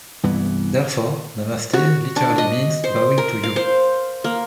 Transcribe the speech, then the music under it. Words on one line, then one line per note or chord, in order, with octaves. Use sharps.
Therefore, Namaste literally means "bowing to you".
C2 G2 E3 B3
F#4
D4
D#5
C5
A#4
F5
C5
A#3